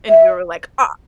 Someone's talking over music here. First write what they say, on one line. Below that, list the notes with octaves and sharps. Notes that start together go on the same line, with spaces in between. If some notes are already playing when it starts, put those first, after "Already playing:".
And we were like, "Ah."
E5